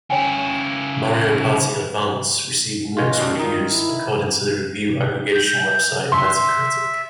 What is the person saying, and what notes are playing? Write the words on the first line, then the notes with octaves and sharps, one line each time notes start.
"Mario Party Advance" received "mixed" reviews according to the review aggregation website Metacritic.
C#3 E4 C#5 G5 G#5
C#4 F4 D#5
B1 F#2 G3
D#3 D#4 F4
E4
G6
E5 C6